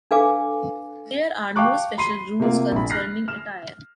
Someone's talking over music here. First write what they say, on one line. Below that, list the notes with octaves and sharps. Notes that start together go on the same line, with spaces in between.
There are no special rules concerning attire.
D4 A4 B4 F5 G#5 D6
F5 G5 A5 C#6 D6 F#6
B5 C6 C7 D#7
C3 A3 A#3 F4
A#1 B5
F6 F#6 A#6 C7
F6 E7